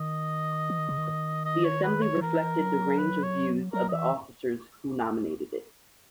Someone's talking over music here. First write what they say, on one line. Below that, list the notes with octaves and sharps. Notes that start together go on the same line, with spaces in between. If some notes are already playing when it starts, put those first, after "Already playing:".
The assembly reflected the range of views of the officers who nominated it.
Already playing: D#3 D#5
E3
D#3
C#3
D#3
D#5
C#5
B4
C#5
F#3
E3 A#4
F#3
B4
C#5
F#3 A#4
D#5
E3 E5